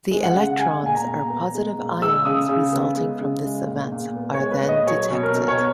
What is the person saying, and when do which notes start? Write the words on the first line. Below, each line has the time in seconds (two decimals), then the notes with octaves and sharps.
The electrons or positive ions resulting from this event are then detected.
0.11 G#3
0.23 F#5
0.36 C#3
0.59 G#3 G#5
0.83 A#2 G#5
0.95 A#5
1.06 A#2
1.30 B3
1.55 G#3
1.78 A#2
2.01 G#3 E6
2.25 C#3 D#6
2.49 C#3
2.73 B3
2.97 G#3
3.21 C#3
3.45 G#3
3.67 A#2
3.92 A#2
4.16 B3
4.34 C#5
4.40 G#3
4.51 B4
4.63 A#2
4.69 D#5
4.87 F#3 C#5
5.10 B2
5.23 A#4
5.35 B2
5.48 C#5
5.57 B3